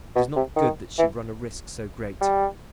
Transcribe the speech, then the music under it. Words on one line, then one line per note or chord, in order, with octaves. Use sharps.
It is not good that she run a risk so great.
B2
C3
D#3
E3
G3